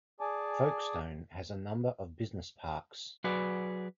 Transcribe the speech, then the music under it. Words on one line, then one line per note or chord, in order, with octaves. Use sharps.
Folkestone has a number of Business Parks.
G#4 D5 G#5 A5 D6
F#3 F#4 G#4 B4 D5